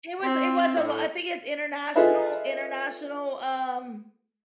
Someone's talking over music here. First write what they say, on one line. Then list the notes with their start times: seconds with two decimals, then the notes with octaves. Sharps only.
It was it was a lo I think it's international international, um,
0.23 C4
0.76 A2
1.95 F4 G#4 A4 B4 D#5 E5